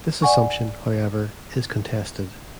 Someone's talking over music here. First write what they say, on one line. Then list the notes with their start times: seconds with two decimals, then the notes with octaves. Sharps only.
This assumption, however, is contested.
0.22 D5 F#5 G#5 C#6